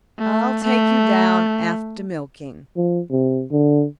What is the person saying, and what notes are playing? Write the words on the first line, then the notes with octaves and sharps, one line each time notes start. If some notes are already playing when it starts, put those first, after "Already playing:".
"I'll take you down after milking."
A3
A3
F3
C3
D3